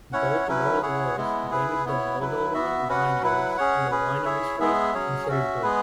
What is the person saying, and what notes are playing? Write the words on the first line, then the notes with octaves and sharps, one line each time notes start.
Both World Wars damaged the Moldolvan vineyards and the wine industry considerably.
C#4 E4 C#5 F#5
F#3 C#4 E4 B4
E4 G#4 C#5 F#5
G#3 B3 E4
E4 G#4 B4
B3 E4 C#5
F#3 E4 B4
B3 F#4 E5
C#4 F#4 B4 F#5
F#3 E4 B4 F#5
C#4 G#4 C#5 F#5
C#4 G#4 B4
E4 G#4 C#5 E5
G#3 B3 G#4 E5
F#3 C#4 G#4 C#5
C#4 F#4 E5
G#3 B3 G#4 B4